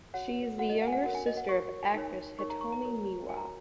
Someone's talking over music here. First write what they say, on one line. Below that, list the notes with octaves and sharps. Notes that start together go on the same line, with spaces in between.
She is the younger sister of actress Hitomi Miwa.
F#4 C#5 F#5
F#4 C#5 F#5
D#5
F#5
G#5
F#5
F#4 A#4 C#5 F#5
G#5
D#5
F#5
F#4 A#4 C#5 C#6
D#4 A#4 C#5
D#4 A#4 C#5 C#6
A#5
C#6
A#5
F#4 A#4 C#5
F#4 A#4 C#5 G#5
A#5